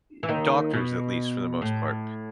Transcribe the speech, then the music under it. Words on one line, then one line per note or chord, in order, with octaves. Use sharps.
e doctors, at least for the most part,
E3
D#2 D#3
B2
A2